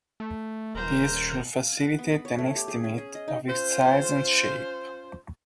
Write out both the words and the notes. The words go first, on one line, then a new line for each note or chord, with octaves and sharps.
This should facilitate an estimate of its size and shape.
A3
D#1 A#4 C5
F5
F#5
B3
B5
C#5
A3
G4
G#4
C#4
G#4
D#5
D#4
C#4 F4 C5